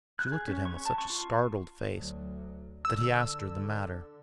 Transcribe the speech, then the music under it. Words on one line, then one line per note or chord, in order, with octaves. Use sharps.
She looked at him with such a startled face that he asked her the matter.
F#6
G#4
C#4
C#6
A5
C#6
F4
D2 F#3
D3 E6